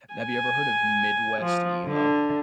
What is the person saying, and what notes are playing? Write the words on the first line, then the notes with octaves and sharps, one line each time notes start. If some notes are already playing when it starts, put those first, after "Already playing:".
Have you ever heard of Midwest emo?
G#5
F3
D3